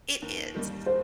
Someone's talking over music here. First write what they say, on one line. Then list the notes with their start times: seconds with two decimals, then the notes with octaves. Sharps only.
It is.
0.22 D#2
0.55 D#3 G3 A#3
0.86 C5